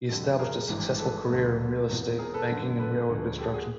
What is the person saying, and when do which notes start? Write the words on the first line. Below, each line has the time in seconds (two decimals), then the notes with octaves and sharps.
He established a successful career in real estate, banking and railroad construction.
0.09 F2 D3 G3
0.39 G#4 A#4
0.69 G#1 G2 E3 G#3
0.99 A4 B4
1.28 D2 D3 F#3 A3
1.88 E1 E2 C3
2.19 G#4 A#4
2.34 A4 B4
2.49 G#1 F#2 D3
2.79 A4 B4
3.09 D2 D3 F3 G#3
3.38 G4 A4
3.54 F#4 G#4